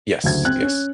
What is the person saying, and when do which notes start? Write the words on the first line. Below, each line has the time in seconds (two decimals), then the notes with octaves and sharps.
Yes, yes.
0.24 F#1 D2 G#6
0.45 C4 F#6
0.62 C#4